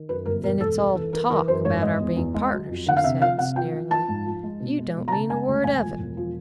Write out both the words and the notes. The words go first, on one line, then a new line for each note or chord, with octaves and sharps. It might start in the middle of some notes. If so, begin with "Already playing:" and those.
"Then it's all 'talk' about our being partners," she said, sneeringly. "You don't mean a word of it."
Already playing: D#3
F#2 B4
G1 A#4
E1 A#4
E1 A4
E1 A4
E3 A4
E3 A#4
E3 A#4
F#2 C5
G#1 C#5
G#3 D#5
E2
E2
G#3
F#3
F2
D3 F#5
F5
C3 E5
F3 F5
C3 F#5
F3 G5
F3
F3 A5
G#2
F3
G#3
B2
G#3
B2
A#5
C#3 A5
G#3 G#5
D2
E1 G#5
F3
E1
F3